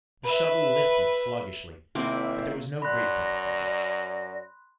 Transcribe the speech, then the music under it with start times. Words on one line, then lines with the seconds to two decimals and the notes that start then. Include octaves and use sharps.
The shuttle lifted sluggishly, but there was no great difficulty.
0.24 B4 E5
1.95 G#1 C3 A#3 C4 E4 D6
2.82 F#2 D5 B5 C6 F#6 A#6